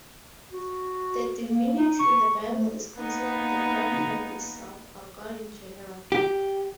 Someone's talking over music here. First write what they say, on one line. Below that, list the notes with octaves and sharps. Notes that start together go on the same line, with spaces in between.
The divinity in the Bible is considered the Godhead itself, or God in general.
F#4
A#3
D#4
C#6
A3
A#3 B3 D#4
G4